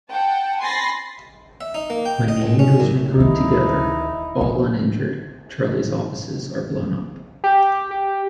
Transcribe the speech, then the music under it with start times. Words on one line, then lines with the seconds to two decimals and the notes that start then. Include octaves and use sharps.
When the Angels regroup together, all uninjured, Charlie's offices are blown up.
0.12 F#5 G5 A5
0.61 G#5 B5 C6 A6 A#6 C7
1.61 E5
1.74 D#4
1.90 A#3
2.05 G5
2.28 D#5
2.42 C#2
2.59 C#4
2.80 F#2
3.16 D1 D#3 D#4 E4
4.41 F3
7.44 G4
7.91 G4